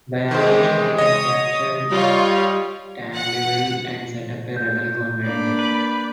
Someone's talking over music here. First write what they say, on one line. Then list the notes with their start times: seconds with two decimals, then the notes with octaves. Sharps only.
By August they had captured Stanleyville and set up a rebel government there.
0.31 D#3 E3 G#3 G4 C5
0.98 C#5 D#5 D#6
1.91 G3 F4 C#5
3.15 F#5
4.57 G6
5.24 A#3 D4 D5 B5
5.59 B4